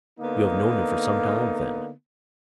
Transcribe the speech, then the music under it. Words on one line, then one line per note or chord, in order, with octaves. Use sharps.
"You have known him for some time, then?"
D3 A#3 B3 D#4